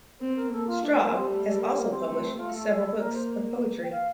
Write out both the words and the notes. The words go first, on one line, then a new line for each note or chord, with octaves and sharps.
Straub has also published several books of poetry.
C4 C5
A#4
A#3 A4
F4
A3 D4
A#3
G3 C4
A3
A3
A#3
A#3
C4
A3
A3 F4
A4
A4
A#3 A#4
C5
G5
F5